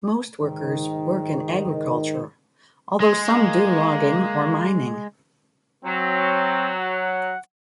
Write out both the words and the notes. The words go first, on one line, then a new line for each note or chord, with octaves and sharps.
Most workers work in agriculture although some do logging or mining.
G#2 D#3
G#3 C6
A#3
F#3 C4
F#5